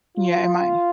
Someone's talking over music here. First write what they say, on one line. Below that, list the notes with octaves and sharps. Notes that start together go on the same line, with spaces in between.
Yeah, it might.
F4